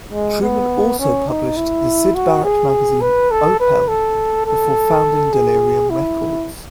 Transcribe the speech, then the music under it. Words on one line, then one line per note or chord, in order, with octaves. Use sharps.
Trueman also published the Syd Barrett magazine, "Opel", before founding Delerium Records.
G#3
B3
C#4
D#4
E4
F#4
G#4
B4
A4
B4
A4
A4
G#4
E4